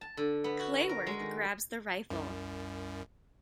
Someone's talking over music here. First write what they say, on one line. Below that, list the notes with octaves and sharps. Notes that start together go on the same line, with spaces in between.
Clayworth grabs the rifle.
A5
D3
B3
F#4
A#4
G#3
D#3
C2 F#2